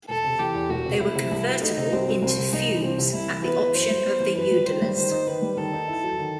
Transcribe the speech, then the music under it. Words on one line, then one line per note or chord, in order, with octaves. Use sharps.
They were convertible into feus at the option of the udallers.
E1 A4
C3
E3 G4
E2
E1 F#4
C3
A3 E4
C3
C2
F#3
A3 D#4
C3
C2 C4
F#3
C2 C4
C3
C2 D#4
E3
C2 C4
C3
C2 E4
E3
B3 B4
E3
F#2 C5
G3
B3
E3
F#2 B4
G3
D#3 C5
G3
D#3 C5
D#4
D#3 B4
G3
D#3 A4
D#4
E4
F#3
D#3